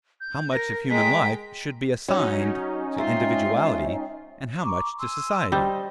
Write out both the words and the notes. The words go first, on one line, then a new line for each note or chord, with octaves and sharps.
How much of human life should be assigned to individuality, and how much to society?
G6
A#4 A#6
G#3 G5 A#5 B6
F#3 C#4 D#4
G#3 C4 F4 E5
A#5 C#6 D6
G#5 C6 E6
G3 C5 D#5